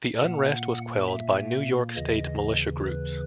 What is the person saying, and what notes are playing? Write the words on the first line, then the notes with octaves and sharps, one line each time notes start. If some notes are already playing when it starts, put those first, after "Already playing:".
The unrest was quelled by New York State militia groups.
A#2 A#3 F#5
E5
D#2 C#3 E3 D#5
B4